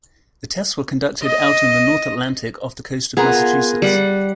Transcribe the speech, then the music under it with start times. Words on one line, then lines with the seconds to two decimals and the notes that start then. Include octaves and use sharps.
The tests were conducted out in the North Atlantic off the coast of Massachusetts.
1.23 D#5
3.17 B3 F4 G#4 A#4
3.82 G3 F#5